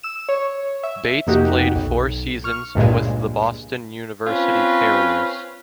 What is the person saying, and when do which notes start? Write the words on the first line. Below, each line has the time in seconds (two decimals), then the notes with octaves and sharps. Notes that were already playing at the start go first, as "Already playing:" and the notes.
Bates played four seasons with the Boston University Terriers.
0.03 E6 E7
0.29 C#5
0.83 E5
1.27 F2 C3 A#3 D#4 F#4 G4
1.76 B1
2.44 C#6 F6
2.75 C#2 G2 A#2 G#3
4.27 C4 C#4 F4 B4